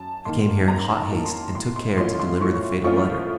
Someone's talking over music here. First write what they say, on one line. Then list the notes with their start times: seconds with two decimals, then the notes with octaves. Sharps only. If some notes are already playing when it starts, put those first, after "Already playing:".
I came here in hot haste, and took care to deliver the fatal letter.
Already playing: F#2 A5
0.25 D#3 A#3 C6
0.68 F#2 A#5
0.97 A5
1.11 D#3 A#3
1.26 C6
1.54 A2 C6
1.76 C6
1.97 F3 A3 C#4 F4 C6
2.20 C6
2.41 A2 C#6
2.84 F3 A3 C#4 F4 C#6